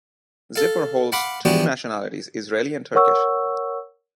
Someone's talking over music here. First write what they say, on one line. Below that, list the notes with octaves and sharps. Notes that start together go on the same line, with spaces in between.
Ziffer holds two nationalities: Israeli and Turkish.
A4 F5
F5 F#5 B5 C6 D6
E3 F3 B3 D4 F#4 G4
A#4 C#5 F#5 C#6 E6